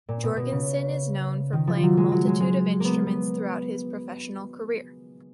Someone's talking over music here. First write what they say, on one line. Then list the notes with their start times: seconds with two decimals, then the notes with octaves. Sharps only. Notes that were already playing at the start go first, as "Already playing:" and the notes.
Jourgensen is known for playing a multitude of instruments throughout his professional career.
0.09 A#2
0.23 B2
0.37 B2
0.52 C#3
1.53 D#3
1.67 F3
1.83 F#3
1.97 G#3
2.12 F#3
2.27 G#3
2.40 G#3
2.80 A#3 B3
3.06 B3